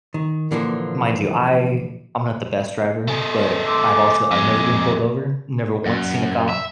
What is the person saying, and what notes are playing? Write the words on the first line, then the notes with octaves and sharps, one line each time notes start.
mind you, I I'm not the best driver, but I've also I've never been pulled over. Never once seen a cop.
D#3
A#2 D3 E3 F3 A#3
A3 G#4
C6 D6 E6
G#5 D6
F2 G#3
F#2
E5